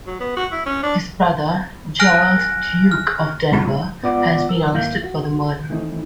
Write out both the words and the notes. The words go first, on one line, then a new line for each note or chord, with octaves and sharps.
His brother, Gerald, Duke of Denver, has been arrested for the murder.
F#3
B3
F#4
E4
C#4
D4
G#5 F6 F#6 A#6 D7
F6
G#2 B3 F4 D5 F#5 D6
A#4 E6
G2 D#3 A#3 E4 F5 G6
F#4
D#3 E3 A3 C4 D#4 E4